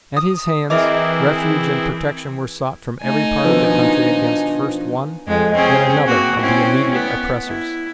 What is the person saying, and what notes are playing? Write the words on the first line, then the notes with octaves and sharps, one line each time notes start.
At his hands, refuge and protection were sought from every part of the country against first one, then another of the immediate oppressors.
D#6
E3 C4 E4 G#4 A#4 D#5 E5 D6
A3 D#4 G#5
B2 D#3 F3 D4 B4
F2 G#3
C4 C#4 G#4
A#3 C4 F#4
C4 C#4 E4
B3
E4